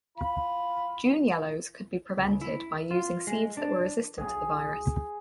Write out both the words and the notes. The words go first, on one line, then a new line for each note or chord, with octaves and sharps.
June yellows could be prevented by using seeds that were resistant to the virus.
F4 B5
C#2
E4
F4
G#3
D4
B1 G#4